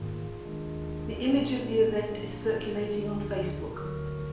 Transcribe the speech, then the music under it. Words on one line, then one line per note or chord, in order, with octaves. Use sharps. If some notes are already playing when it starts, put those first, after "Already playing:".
The image of the event is circulating on Facebook.
Already playing: G#2 D#3 A#3 F4 G#4
D#2 D#3 G#3 D4
A#2 G#3 B3 D4
A#2 F#3 A#3 D4 F4 G#4
D#2 D3 G#3 D4
D2 D3 F#3 F#4 A#4